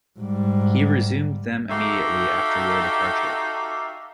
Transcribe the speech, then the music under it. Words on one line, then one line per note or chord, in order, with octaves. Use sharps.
He resumed them immediately after your departure.
G#2 G3
D#4 F#4 G4 A4 E5 F5